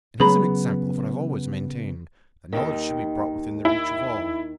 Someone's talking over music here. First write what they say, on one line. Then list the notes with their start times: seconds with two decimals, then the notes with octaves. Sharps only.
And he's an example of what I've always maintained, that knowledge should be brought within the reach of all.
0.20 C#3 F#3 B3 G#4 A#5 B5
2.53 D#2 D#3
3.65 E4